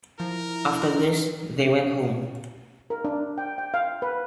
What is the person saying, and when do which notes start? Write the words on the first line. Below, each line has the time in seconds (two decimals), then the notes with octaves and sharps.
After this, they went home.
0.20 F3 E4 A#4
2.90 A#4
3.05 D4
3.38 G5
3.58 G5
3.74 F5
4.02 B4